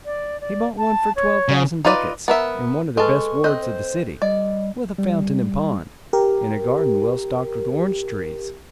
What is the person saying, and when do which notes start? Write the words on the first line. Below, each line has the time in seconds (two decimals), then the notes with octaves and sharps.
He bought one for twelve thousand ducats, in one of the best wards of the city, with a fountain and pond, and a garden well stocked with orange trees.
0.05 D5
0.41 D5
0.78 A5
1.16 C#5
1.48 C#3
1.85 D#4 F4 B4 D5 D#5
2.28 B3 A#4 E5
2.97 G#3 A4 B4 A5 C#6
3.44 C4 D#5 F#6 G6
3.62 C5
4.22 G3 D5 D#5
4.98 G3
6.13 G4 A#4